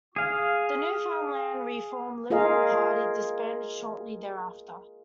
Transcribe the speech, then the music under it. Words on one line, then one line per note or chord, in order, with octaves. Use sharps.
The Newfoundland Reform Liberal Party disbanded shortly thereafter.
G#4 F5
F4 G#4 A#4 D#5 F5